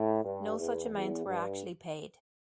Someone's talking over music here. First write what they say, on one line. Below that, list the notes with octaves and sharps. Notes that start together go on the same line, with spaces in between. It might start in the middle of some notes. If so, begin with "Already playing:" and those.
No such amounts were actually paid.
Already playing: A2
G2
E2
E2
G2